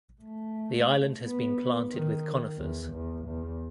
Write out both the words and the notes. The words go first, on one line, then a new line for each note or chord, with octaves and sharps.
The island has been planted with conifers.
A3
B3
D#3
E2
E2
E2